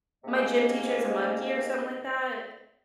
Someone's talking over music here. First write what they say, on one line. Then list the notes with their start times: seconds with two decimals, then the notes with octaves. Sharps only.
My Gym Teacher is a Monkey or something like that?
0.23 G#2 C3 A#3 C#4 D#5